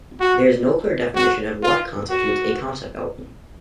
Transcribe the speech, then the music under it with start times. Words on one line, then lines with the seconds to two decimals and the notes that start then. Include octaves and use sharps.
There is no clear definition of what constitutes a "concept album".
0.20 F#4
1.15 F#4
1.63 F4
2.10 F#4